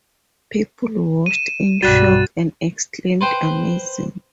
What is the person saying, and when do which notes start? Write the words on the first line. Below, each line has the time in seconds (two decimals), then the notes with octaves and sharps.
People watched in shock and exclaimed: Amazing!
1.26 D#7 E7
1.83 B1 G2 G3 F#4 F#6 A6
3.21 B4 C5 G5